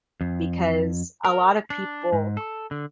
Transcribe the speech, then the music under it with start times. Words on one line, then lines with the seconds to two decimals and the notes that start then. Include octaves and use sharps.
because a lot of people,
0.21 F2
1.25 A#4
1.70 D4
2.12 G#2
2.37 A4
2.71 D3